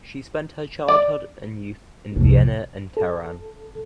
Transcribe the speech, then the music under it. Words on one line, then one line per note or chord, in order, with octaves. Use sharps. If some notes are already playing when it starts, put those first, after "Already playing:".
She spent her childhood and youth in Vienna and Tehran.
D5
C2 F2
A4